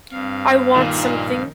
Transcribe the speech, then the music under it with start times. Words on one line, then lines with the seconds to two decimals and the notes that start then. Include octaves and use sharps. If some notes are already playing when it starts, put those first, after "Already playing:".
I want something.
0.11 G2 C4 F5
0.76 A#1 A#2 D#3 D#4